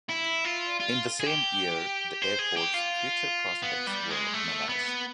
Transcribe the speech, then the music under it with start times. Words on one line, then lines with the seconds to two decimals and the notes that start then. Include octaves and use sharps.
In the same year, the airport's future prospects were analysed.
0.10 E4
0.45 F4
0.80 F4
1.20 G#4
1.27 G4
2.22 C5
2.39 G#4
2.57 G4
2.74 F4
3.63 B3
3.87 G3
4.10 G#3
4.34 A3
4.69 B3